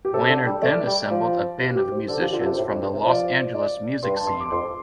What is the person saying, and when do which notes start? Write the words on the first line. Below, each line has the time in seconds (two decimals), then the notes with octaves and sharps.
Laner then assembled a band of musicians from the Los Angeles music scene.
0.05 G4
0.14 C3 A4
0.29 D3
0.46 G3
0.62 A3 D5
0.87 G3
1.11 F3
1.60 G4
1.76 G4
1.92 C5
2.08 D3 A4
2.20 F3 G4
2.32 D3 F4
2.40 A4
2.45 C3 G4
2.58 A2 C5
2.69 F2
2.82 G2
2.93 C3
3.06 F3 D5
3.55 D5
4.03 G2 C6
4.16 A5
4.27 C6
4.40 D6
4.52 F2 C6